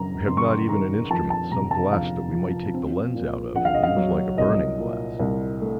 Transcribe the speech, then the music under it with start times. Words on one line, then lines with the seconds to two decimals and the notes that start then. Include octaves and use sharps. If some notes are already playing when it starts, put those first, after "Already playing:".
"We have not even an instrument, some glass that we might take the lens out of, and use like a burning glass."
Already playing: F#1 F#2 A#5
0.27 F#1 C6
0.37 C#6
0.45 C6
0.69 D#3 A#5
1.10 F2 A5
1.30 A5
1.52 C3 A#5
1.71 A5
1.92 F2 F5
2.33 F3
2.74 C4
3.15 A#2
3.55 A#1 F#5
3.65 F5
3.74 D#5
3.83 F5
3.96 F#3
4.38 C2 D#5
4.78 A#2
5.20 C2
5.62 A3